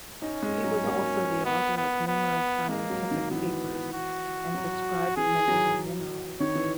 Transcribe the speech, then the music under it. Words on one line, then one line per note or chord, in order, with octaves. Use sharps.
He was also the author of numerous scientific papers, and described many new minerals.
C#4 D#4
G#3
F#3
A#3
B3
B3
B3
G#3 A#3
F#3
D#3
E3 B3
F#4
F#3
E3 G#4
F#3
D#3 C#5
E3